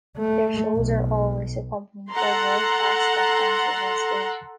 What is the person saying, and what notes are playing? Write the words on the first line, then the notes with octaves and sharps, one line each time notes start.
Their shows are always accompanied by world-class step dancers on stage.
A3
B1
A4 F#5 A#5 C6